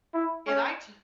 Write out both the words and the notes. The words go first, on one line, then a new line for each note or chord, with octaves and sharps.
And I to
E4
C#4